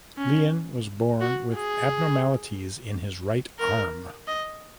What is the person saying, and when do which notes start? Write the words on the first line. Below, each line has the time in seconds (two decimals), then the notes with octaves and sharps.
Lian was born with abnormalities in his right arm.
0.18 C#4
1.21 F#4
1.55 G#4
3.59 A#4
4.27 D#5